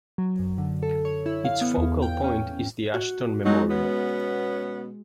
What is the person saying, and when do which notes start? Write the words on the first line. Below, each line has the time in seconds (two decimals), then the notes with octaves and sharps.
Its focal point is the Ashton Memorial.
0.18 F#3
0.39 F#2
0.58 D3
0.83 A4
1.05 C#5
1.26 E4
1.45 F5
1.61 B3
1.77 E2
2.02 G5
2.24 C#4
2.41 C#4
2.94 F#4
3.46 E2 F#3 G#3 D#4
3.70 B2 B3 C#4